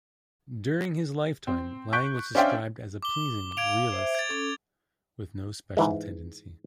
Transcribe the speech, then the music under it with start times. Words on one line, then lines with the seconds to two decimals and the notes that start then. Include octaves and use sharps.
During his lifetime, Lange was described as a pleasing realist with no special tendency.
1.47 C4
1.93 C#6 F#6 G6 B6 D7
2.35 C#4 D4 C5 E5 F5 G5
3.02 D6 G7
3.57 F5 G#6 D7 F7
3.92 C5 E5
4.15 G#6 A6
4.29 C#4 A4
5.77 G#2 E3 G#3